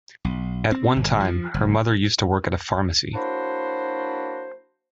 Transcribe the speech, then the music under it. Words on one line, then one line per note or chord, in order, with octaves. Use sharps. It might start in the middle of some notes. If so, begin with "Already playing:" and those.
At one time, her mother used to work at a pharmacy.
B1
C4
G1
F3
F#1
F#3 A#3 D4 E4 F#4 C5